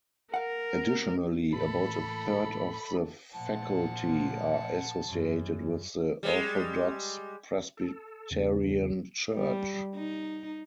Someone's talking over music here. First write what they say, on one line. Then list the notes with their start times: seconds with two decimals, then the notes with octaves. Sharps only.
Additionally, about a third of the faculty are associated with the Orthodox Presbyterian Church.
0.34 A#4 F5 F#5
1.53 A2 E3 A#3 A4 B5
3.35 A#2 F3 F#5 A5
5.08 F#2
6.23 G3 G#3
7.77 A4
8.31 E2 C#3
9.34 G3
9.95 D#4